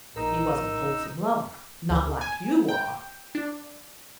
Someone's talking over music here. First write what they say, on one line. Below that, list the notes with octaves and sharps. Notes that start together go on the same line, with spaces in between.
He wasn't a wholesome lover,--not like you are.
A#1 D#4 A#4 A#5 E6
D2
G#5
G5
D4